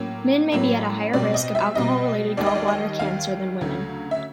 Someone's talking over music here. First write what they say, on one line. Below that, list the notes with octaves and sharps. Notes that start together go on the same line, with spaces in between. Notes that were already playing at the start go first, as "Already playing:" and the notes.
Men may be at a higher risk of alcohol-related gallbladder cancer than women.
Already playing: A2 F#3 A#3 C#4
A2 F#3 A#3 C#4
B2 G3 C4 D5
D#5
E5
B2 G3 C4 D#5
D#2 D#3 G3 D5
D#5
D5
D#5
D#2 D#3 G3 F5
D2 C#3 F#3 A3
E5